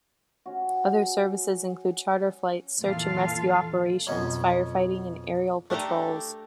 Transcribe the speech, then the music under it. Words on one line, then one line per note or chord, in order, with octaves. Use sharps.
Other services included charter flights, search and rescue operations, firefighting and aerial patrols.
C#4 F#4
F2 A#2 E3 F4 A4 F5
F2 B2 F#3 C#4
A3 D4 G4 A4 A#5